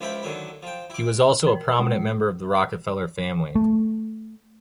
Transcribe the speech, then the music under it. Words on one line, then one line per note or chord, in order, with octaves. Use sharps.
He was also a prominent member of the Rockefeller family.
C#2 F3 E4 E5 G5 B5
D3 D#3 F#3 E4
F3 G5
E4 D6
A#4
G#3
A3